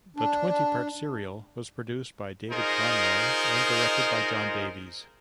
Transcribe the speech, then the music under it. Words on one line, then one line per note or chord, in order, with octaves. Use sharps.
The twenty-part serial was produced by David Conroy and directed by John Davies.
D4
D#4 F4 G#4 A#4 C5 D#5